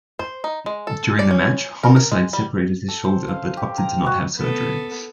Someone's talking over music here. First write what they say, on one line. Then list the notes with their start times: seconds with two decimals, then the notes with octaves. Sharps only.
During the match, Homicide separated his shoulder, but opted not to have surgery.
0.19 C5
0.44 D#4
0.66 G#3
0.87 A4
1.19 D5
1.31 C#4
1.83 A#4
1.96 A#4
2.12 G#3
2.33 G3
2.89 A4
3.04 C5
3.28 F5
3.57 G4
3.78 A#5
4.06 F#4
4.39 B3 A4